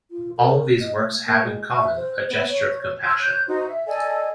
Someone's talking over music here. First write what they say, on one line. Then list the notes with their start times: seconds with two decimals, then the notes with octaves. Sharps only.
All of these works have in common a gesture of compassion.
0.11 F4
0.37 A#4
0.81 D#5
0.97 A3
1.26 A#3
1.43 G#3
1.74 E5
1.96 C5
2.30 B3
2.48 C#5
3.05 C6 E6 F6
3.18 C#5 F#6 G6
3.47 D#4 F#4 C5
3.67 E5
3.87 A4 D5 D#5 G#5